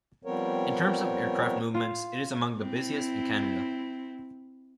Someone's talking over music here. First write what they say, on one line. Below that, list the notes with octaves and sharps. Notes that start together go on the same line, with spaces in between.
In terms of aircraft movements, it is among the busiest in Canada.
F3 G3 B3 C4 A#4 C#5
F4
C4 E4